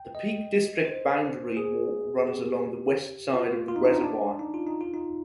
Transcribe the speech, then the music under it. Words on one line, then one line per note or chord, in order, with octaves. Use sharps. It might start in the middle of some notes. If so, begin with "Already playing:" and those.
The Peak District Boundary Walk runs along the west side of the reservoir.
Already playing: G5
D#5
C5
G#4
G4
F4
F4
D#4
D4
D#4
D4
D#4
F4
D#4
F4
D#4